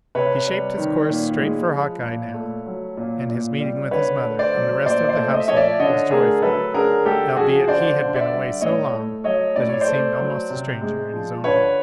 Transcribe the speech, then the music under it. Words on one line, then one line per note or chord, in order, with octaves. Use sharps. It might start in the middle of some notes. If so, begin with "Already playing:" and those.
He shaped his course straight for Hawkeye, now, and his meeting with his mother and the rest of the household was joyful--albeit he had been away so long that he seemed almost a stranger in his own home.
C3 B4 C#5
G3
D#3
A#2
G#3
F3
A#2
A3
F#3
A#2
A#2
G3
D3 B4 C#5
A3
C5 D5
F#3
A#2 C5 D5
C5 D5
A3
D#5
E5
F3 C#5 D#5
D5 E5
D3 C#5 D#5
A3 G#4 A#4
F#3 A4 B4
D3 G#4 A#4
G#3 G4 A4
F3 F#4 G#4
D3 C5 D5
D3
D5 E5
G3
A2 C#5 D#5
A3
F#3 C#5 D#5
A2 D5
C#5
C5 D5
A3
F#3
C3
G#3
F3
D3 B4 C#5